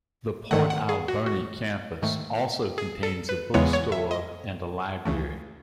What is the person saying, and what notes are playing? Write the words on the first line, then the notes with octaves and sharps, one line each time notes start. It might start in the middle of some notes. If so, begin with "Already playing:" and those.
The Port Alberni campus also contains a bookstore and library.
G#2 D#3 A3 F#5
F#5
G#4
F#4
F#4
G#2 D#3 A3
G#4
A4
B4
E2 C#3 E3 G#3 B3 C#5
C#5
E5
D#5
C#2 C#3 E3 A3